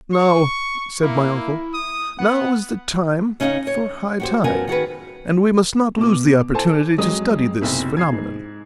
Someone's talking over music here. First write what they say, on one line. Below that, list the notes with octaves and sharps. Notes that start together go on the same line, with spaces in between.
"Now," said my uncle, "now is the time for high tide, and we must not lose the opportunity to study this phenomenon."
C#6
A#3 E4
D#6
B3 F#5
C#3 C#4 D#4 F#4 D#5 F5
C#5
F#4 G4 C5
F#2 F3 B3 A#4 F#5 G#5
D#3 F#4 G#4 B4
B2 D6
A4 C5 G#5 A5
F2 F#3 G#3 D#6
F#1 B1 C3
G#6 C7
G#2